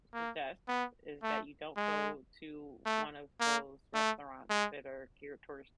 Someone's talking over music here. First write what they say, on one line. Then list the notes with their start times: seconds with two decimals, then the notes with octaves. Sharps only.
suggest is that you don't go to one of those restaurants that are geared towards
0.14 A#3
0.68 B3
1.23 A3
1.77 G#3
2.86 A3
3.40 A#3
3.95 A3
4.50 G#3